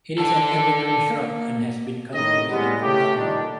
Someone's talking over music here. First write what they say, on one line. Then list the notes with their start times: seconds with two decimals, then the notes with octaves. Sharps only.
It is an evergreen shrub, and has been cultivated for gardening.
0.18 D4 A4
1.10 A#3
2.14 A2 D#3 D#5
2.50 A2 C3 G3 G#3 B3
2.81 C#3 A3 G4
3.16 A#2 D3 D#3 G3 D4